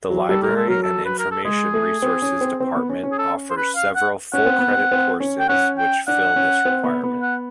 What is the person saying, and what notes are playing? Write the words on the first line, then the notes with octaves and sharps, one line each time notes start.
The Library and Information Resources Department offers several full-credit courses which fill this requirement.
F#3
G3 A4
A#4
G#3
A4
F#3 A#4
A4
B4
A#4
A4
G#3 G#4
A3
C4
C#4
C4
C4
B3
C#4
C#4
G#4
A4
C5
B4
F5
F#5
C#4 F#5
C4
B3
C4
C4
C#4
G5
C#4 F#5
G5
D4 F#5
C#4
C4
B3
B3
F#5